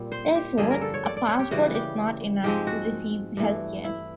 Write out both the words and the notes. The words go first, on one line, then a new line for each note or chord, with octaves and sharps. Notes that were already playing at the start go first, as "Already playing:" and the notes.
Therefore, a passport is not enough to receive health care.
Already playing: A#2 G3 C4
C5
G4
G2 D3 F3 A#3 G#4
A#4
A4
C#5
D5
D5
C#5
G4
C#3 E3 G3 F#4
G4
G#2 F3 G#3 C4 G4
F#4
G2 E3 A3
E4